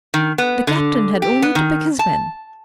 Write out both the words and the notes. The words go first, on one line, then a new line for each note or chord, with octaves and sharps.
The captain had only to pick his men.
D#3
B3
D3
G4
B3
D#3
A5